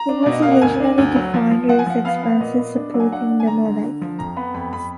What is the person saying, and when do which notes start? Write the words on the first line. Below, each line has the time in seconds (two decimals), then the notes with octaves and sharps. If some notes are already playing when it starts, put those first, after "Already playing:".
It was originally defined as expenses supporting the monarch.
Already playing: A#5
0.09 D4
0.22 B2 D5
0.32 D#5
0.42 A#3 F5
0.52 F#5
0.61 D2 G#5
0.80 D4
0.98 D2
1.16 F#3
1.34 F3
1.51 F3
1.69 F3 F#5
1.79 G#5
1.86 F3 F#5
2.05 B3 F5
2.23 B3
2.40 A#2 D#5
2.59 B3
2.77 D4
2.94 F#3
3.00 G#5
3.12 D4 F#5
3.30 D4
3.40 G#5
3.47 D3 A#5
3.65 D3
3.84 D3
4.01 F3
4.19 F2 A#5
4.36 B3 B5
4.54 F2 B5
4.72 F2 B5